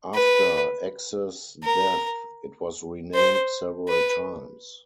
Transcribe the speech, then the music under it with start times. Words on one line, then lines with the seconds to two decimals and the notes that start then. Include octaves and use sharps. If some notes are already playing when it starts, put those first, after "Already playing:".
After X's death it was renamed several times.
0.14 B4
1.64 A#4
3.15 C5
3.89 B4